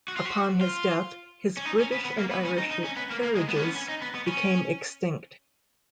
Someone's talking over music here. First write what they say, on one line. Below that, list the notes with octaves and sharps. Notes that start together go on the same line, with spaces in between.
Upon his death, his British and Irish peerages became extinct.
F#4
F4
F#4
F4
C#4
D#4
C#4
B3
B3
A#3
B3
C#4
D#4
D#4
C#4
B3
A#3
A#3
G#3
B3
C#4
B3
C#4
D#4
B3
B3
C#4